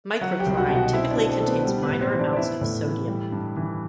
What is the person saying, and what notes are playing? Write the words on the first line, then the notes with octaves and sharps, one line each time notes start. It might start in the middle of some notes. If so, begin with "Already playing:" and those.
Microcline typically contains minor amounts of sodium.
F#3 F#4 F#5
G4 G5
C2
F#4 F#5
B2 G5
F#4 F#5
C4 E4 E5
D4 D5
B2
C4 C5
A3 A4
B3 B4
G3 B3 G4
B3 B4
A2
C4 C5
E3
D4 D5
D5
B3 E4 E5
A2
E3
G3
G2
E3